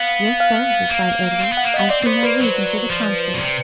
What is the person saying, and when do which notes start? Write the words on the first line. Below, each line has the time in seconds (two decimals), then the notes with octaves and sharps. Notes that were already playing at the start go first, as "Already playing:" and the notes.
"Yes, sir," replied Edward; "I see no reason to the contrary."
Already playing: B3 F5
0.40 F5
0.90 A#3
1.40 C4
1.52 B3
1.57 F#5
1.64 A#3
1.74 B3 D#5
1.90 C4 D5
2.03 C4
2.06 B3 C5
2.23 A#3 B4
2.40 F#3
2.90 F3
3.34 B2
3.40 C3